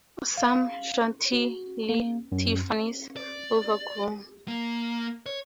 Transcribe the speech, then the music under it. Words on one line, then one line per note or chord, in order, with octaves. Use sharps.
Some Chantilly-Tiffanys' overgroom.
F5
F#4
A#3
F#2
D5
A#3
C#5